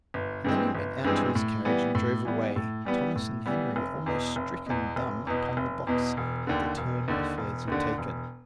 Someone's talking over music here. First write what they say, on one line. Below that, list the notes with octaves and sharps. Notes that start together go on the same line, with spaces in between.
And then he went out to his carriage and drove away, Thomas and Henry almost stricken dumb upon the box at the turn affairs had taken.
G1
G2 E3 G#3 C4
G1
G2 E3 G#3 C4
A2
E3 G3 B3
A2
E3 G3 B3
A2
E3 G3 B3
A2
E3 G3 B3
F1
E2 B2
F1
E2 B2
F1
E2 B2
F1
E2 B2
E1
D#2 D3
E1
D#2 D3
E1
D#2 D3
E1